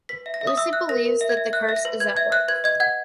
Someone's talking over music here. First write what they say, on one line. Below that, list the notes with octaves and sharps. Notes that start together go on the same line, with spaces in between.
Lucy believes that the curse is at work.
B4 B6
E5
A#6
E5
D#6
E5 E6
E5 F#6
A#4 A#6
A#4
E5
G#6
E5
E5 F#6
E5
A#6
B4
B4 G#6
E5 G#6
E5 F#6
B4 G#6
D#5 G#6
F#5 G#6